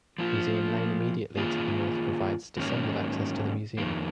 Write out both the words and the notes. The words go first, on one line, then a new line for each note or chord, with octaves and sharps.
Museum Lane immediately to the north provides disabled access to the museum.
F3 A#3 F4
D#3 A#3 F4 G#4
G#2 D#3 F#3 A#3 C#4
F2 D#3 A#3